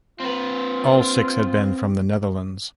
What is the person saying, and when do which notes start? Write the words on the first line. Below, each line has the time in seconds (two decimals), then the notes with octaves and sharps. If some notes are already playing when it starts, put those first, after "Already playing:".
All six have been from the Netherlands.
0.20 C4 F4 B4